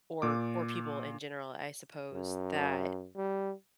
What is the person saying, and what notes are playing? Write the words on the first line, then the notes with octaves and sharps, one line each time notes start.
or or people in general, I suppose, that
A#2 D6
F#2
G3